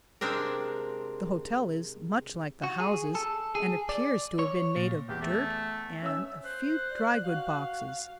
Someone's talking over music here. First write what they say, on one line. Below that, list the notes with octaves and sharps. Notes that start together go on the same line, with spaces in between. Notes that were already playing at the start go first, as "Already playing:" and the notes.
The hotel is much like the houses, and appears to have been made of dirt, and a few drygoods boxes.
C3 G#3 C4 D4 A#4
F#4
G#4
A4
G#4
D5
C#5
A#2
E2 G4
A3
C#4 E5 E6
C5 F#6
D5
F#4 F5